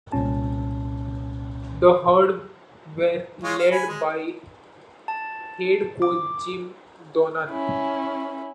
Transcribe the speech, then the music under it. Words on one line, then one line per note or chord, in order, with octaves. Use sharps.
The Herd were led by head coach Jim Donnan.
C2 A#2 C#4 A5
G#3 F4 C#5
F5
G#5 B5
G#3
A5
D6
C#4 E4